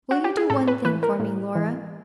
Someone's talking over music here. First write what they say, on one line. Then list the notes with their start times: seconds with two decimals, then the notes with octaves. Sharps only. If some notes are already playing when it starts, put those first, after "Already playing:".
'Will you do one thing for me, Laura?
0.11 F#4
0.24 G4
0.37 G#4
0.50 A2 A4
0.68 B4
0.85 E3 B4
1.03 A#4
1.20 A2
1.56 E3